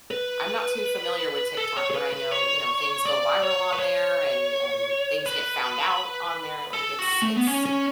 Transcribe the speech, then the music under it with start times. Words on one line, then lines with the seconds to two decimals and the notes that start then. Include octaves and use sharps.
I'm not too familiar with TikTok, but I know, you know, things go viral on there and and things get found out on there. Like, it's it's
0.11 B4
1.57 A4
1.77 C#5
1.91 C#5
1.95 B4
2.13 B4
2.31 C#5
3.05 D5
3.42 C#5
3.73 B4
3.79 C#5
5.26 B4
6.73 A4
6.99 F#4
7.22 A3
7.36 B3
7.47 C#4
7.66 C#4